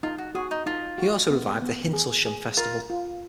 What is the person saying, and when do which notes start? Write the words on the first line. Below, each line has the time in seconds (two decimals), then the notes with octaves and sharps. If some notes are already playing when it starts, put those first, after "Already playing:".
He also revived the Hintlesham Festival.
0.03 D#4 F4
0.18 F#4
0.35 F#4 G#4
0.51 D#4
0.66 D#4 F4
0.98 F#4
1.30 B3
1.62 B3
1.93 G#4
2.25 G#4
2.57 F4 A#4
2.90 F4